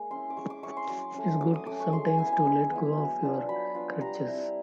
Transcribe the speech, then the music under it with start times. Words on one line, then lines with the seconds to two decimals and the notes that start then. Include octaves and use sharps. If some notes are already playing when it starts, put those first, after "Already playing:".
It's good sometimes to let go of your crutches.
Already playing: G#3 A#3
0.11 C#4 E4 C6
0.30 D6
0.37 G#3 C#6
0.50 D6
0.63 C#4 E4 C#6
0.77 C6
0.89 F#3 D6
1.15 A3 C#4
1.41 F#3 D6
1.54 D#6
1.67 A3 C#4 D6
1.80 C#6
1.93 G#3 C6
2.07 G#5
2.19 B3 E4 G#5
2.32 G#5
2.45 G#3
2.71 B3 E4
2.97 F#3
3.23 B3 D4 F4
3.49 F#3 B5
3.75 B3 D4 F4
4.01 G3 A#5
4.27 C4 E4